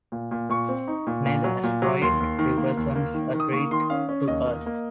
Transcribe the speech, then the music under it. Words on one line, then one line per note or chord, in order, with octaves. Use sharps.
Neither asteroid represents a threat to Earth.
A#2
A#2
A#2 C#6
C4
D#4
A#2
A#2
F#3
A#2
F#3
D#2 C6
D#2
D#3
A#3
D#2
A#3
D#3
D#3
D#6
A#3 C#6
D#3 C6
C#4 F5
C#4
D#2 D#5
A#3
A#3